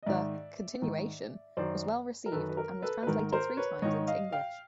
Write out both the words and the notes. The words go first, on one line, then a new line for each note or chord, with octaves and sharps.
The "Continuation" was well received and was translated three times into English.
D#5
G#2 D#3 D5 E5
G#2 D#3
F#2 D#3 C5 D5
A#4
F#2 D#3 A4 B4
B4
A#4
A4 B4
B4
G#2 D#3 A#4
A#4 C5
B4 C#5
G#2 D#3 C#5 D#5
D#5 F5
F5 G5